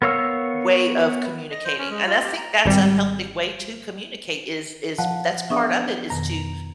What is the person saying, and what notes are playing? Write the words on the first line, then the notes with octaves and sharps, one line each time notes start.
way of communicating and I think that's a healthy way to communicate is is that's part of it, is to,
B3 A#4 C#5 F5 E6
D#5
C5
C#4
G#3
F4
G4
A#5
G#1 G3
F3 F5 F#5 A5
B3 D4 G#4 E5 C#6 D#6
F2 B2 D#3 A#5